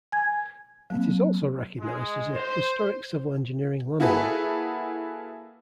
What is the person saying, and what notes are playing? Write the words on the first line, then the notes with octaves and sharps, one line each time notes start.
It is also recognized as a Historic Civil Engineering Landmark.
G#5 G#6
F#3 A#3 C4
G#3
C5
A#3 E4 F#4 G#4 A4 B4